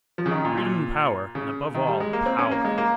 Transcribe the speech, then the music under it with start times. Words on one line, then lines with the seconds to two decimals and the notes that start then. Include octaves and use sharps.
Freedom and power, and above all, power!
0.18 F3
0.26 C#3
0.31 D#3
0.45 A#2
0.57 A#2
1.35 C#3
1.74 D#3
1.87 G3
2.00 G#3
2.13 A#3
2.26 C4
2.39 C#4
2.51 A#3
2.65 G#3
2.78 A#3